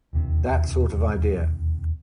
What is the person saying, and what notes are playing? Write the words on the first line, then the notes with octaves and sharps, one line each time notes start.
That sort of idea.
E1 D#2 C3